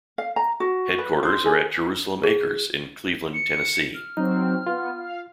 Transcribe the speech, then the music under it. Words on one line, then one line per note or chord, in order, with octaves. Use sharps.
Headquarters are at "Jerusalem Acres" in Cleveland, Tennessee.
F5
A#5
F#4
B4
C5
G#4
G#4
C#7
F6
F#3 C4 D#4
B3 F4
F5